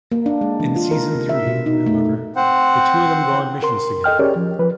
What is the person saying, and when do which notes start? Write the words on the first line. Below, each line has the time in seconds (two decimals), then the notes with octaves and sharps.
In season three, however, the two of them go on missions together.
0.12 A#3
0.26 D4
0.41 G#3
0.60 E3
0.76 F4
0.91 A#4
1.15 C3
1.29 E5
1.47 B2
1.66 D#4
1.86 A3
2.36 C4 C5 F#5
3.63 A#4 C6
4.04 A4 D#5 G5 F6
4.19 C#4 G4 G#4 A#4 C#5 D5
4.36 F3
4.59 F3 B4